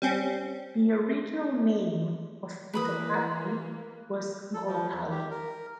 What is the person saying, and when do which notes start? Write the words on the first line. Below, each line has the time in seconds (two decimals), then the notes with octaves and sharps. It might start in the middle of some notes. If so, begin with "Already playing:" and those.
The original name of Puttaparthi was Gollapalli.
0.02 G3 C4 C#4
2.74 E3 A#3 B4 B5 D#6
4.54 A4
4.67 F3
4.93 E2
5.10 G4
5.31 A#4